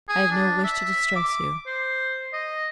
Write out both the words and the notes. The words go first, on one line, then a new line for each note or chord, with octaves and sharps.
I have no wish to distress you.
G#4
D4
E5
D6
C5
D#5